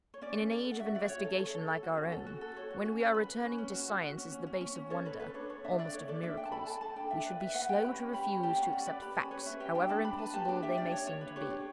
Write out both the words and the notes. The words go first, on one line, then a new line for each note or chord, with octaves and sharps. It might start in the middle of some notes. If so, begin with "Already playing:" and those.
In an age of investigation like our own, when we are returning to science as the base of wonders--almost of miracles--we should be slow to refuse to accept facts, however impossible they may seem to be.
C#5
C#4 D5
C#4
A4 D5
A4
F#5
F#4 E5
F#4 D5
C#4 C#5
A4
A4 C#5
A4
A4
F#4
C#4
A4
F#4
A4
F#4 C#5
F#4
C#4
B4
B4
B4
C#4
C#4
F#4
F#4
F#4
C#4
C#4
C#4
C#4
C#4
A4 C#5
A4 B4
A4 B4
D4 C#5
A4 C#5
D4 E5
D4 D5
A4 C#5
A4 D5
D4 E5
D4 G5
A5
A4 B5
A4 A5
A4 A5
D4 G5
D4 E5
B4 D5
B4 E5
B4 F#5
G4 G5
C#4 B5
C#4
G4 B5
C#4
G4 A5
C#4 F#5
C#4 D5
B4 D5
G4 B5
C#4 B5
B4 C#5
C#4 E5
G4 G5
D4 G5
D4 A5
D4 B5
B4 A5
G4 A5
D4 G5
G4 E5
D4 D5
D4 C#5
D4 C#5
D4 B4
G4 C#5
D4